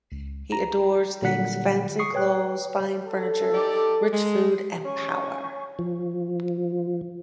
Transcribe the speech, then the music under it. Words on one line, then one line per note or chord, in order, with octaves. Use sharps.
He adores things-fancy clothes, fine furniture, rich food-and power.
C#2
A#5
A#2 D3 F#3 G3 F#5 B6
C#6 D#6 C7 C#7
B4 C#5 G5 F#6
A4
D#4 G4 D5
G#3
C#4 G#5 C#6
F3